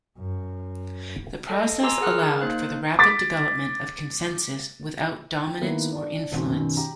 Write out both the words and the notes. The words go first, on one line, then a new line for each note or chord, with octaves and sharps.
The process allowed for the rapid development of consensus without dominance or influence.
F#2
A4 D#5
G4 G#5 A#5 C6 D6 E6
G#4 A#4 F#5 F6 F#6
A#3 D#4 C5 F5 F#6
D6 A6 B6
G5
D#3 A#3 B3 E4
D4 D5
D#1 D#3 C4 F#4 C6
F#2 B2 D#3
G4 A#5